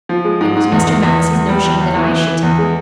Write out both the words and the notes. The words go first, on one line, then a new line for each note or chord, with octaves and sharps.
'It was Mr. Max's notion that I should tell you.'
F3
G#3
G#2
G#2
E2
E2
E2
E2
E2
G3
E2
E2
E3
E3
E3
E2
G#3